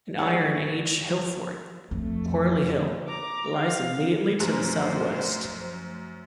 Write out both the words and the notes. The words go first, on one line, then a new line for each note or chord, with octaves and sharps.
An Iron Age hillfort, Quarley Hill, lies immediately to the southwest.
F#3 G#3 E4 D5 F#5
F2 A3
A#5 D6
F5
F#2 F3 A3 C5 A#5